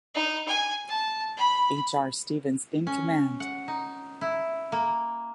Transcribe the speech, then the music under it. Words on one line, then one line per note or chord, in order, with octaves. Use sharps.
H. R. Stevens in command.
D#4
G#5
A5
B5
C#4
F#5
D#4
E4
A#3